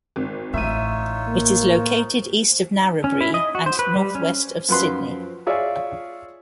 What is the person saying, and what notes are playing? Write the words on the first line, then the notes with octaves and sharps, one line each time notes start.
It is located east of Narrabri and northwest of Sydney.
G#1
A1 A2 D#4 F4 C#5 E5 D#7
A#3
C#4
E4
D#5
F#4
C5
B4
G3
C#4
F#2 F3 B4 C6
F4 G#4 C#5 D5 E5